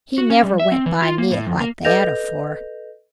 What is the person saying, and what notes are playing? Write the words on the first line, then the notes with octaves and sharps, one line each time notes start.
He never went by me like that afore.
F#4
C#4
G3
E5
C4
E3
F4
A#3
A2
F2
A#3
A4 B4 D#5 G6 A#6 F7